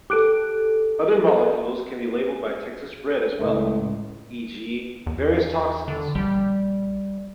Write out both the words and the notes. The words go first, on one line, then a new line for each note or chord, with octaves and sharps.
Other molecules can be labeled by Texas Red as well, e.g., various toxins.
G4 A4 D6 F#6 D7
C#2 A2 A3
E2
D3
A#1 G3